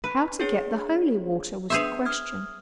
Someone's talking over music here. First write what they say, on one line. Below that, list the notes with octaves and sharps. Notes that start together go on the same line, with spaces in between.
How to get the holy water was the question.
B4
D4 G#4 C#5
B3 D4 G#4 B4 C5 E5
D#6 F6 G#6